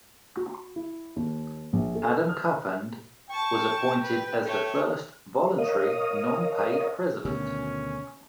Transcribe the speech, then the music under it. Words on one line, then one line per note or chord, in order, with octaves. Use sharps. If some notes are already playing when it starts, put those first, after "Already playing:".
Adam Cuthand was appointed as the first voluntary non-paid president.
F#4
E4
D#2
A#1
A4
F6
G5 A5 C#6
B4
A3 C#5
A#4 C#5 D#5 F5 D#6
D2 B2 D#3 C#4